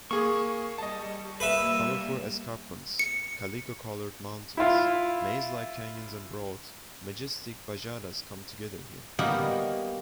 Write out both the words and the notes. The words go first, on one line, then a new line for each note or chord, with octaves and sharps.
Colorful escarpments, calico-colored mountains, maze-like canyons and broad, majestic bajadas come together here.
A#3 G#4 C#6
G3 D#5 A5
G3 A#3 B4 E5
C#7
E4 F4
G3 A#3 B3 D#4 F#4